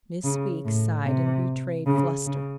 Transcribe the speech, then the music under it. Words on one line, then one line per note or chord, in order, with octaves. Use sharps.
Miss Weeks sighed and betrayed fluster.
C#3
A2
C3
C#3
C#3